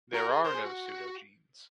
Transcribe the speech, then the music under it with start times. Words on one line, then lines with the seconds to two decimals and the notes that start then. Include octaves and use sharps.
There are no pseudogenes.
0.14 F#4 A#4
0.29 G#4
0.44 A#4 C5
0.55 G#4
0.65 F#4